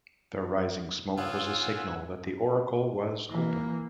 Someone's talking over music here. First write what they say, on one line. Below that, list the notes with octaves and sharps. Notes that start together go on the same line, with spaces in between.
The rising smoke was a signal that the oracle was open.
C#3 B3 F4 F#5 G#5 E6
E3 A#3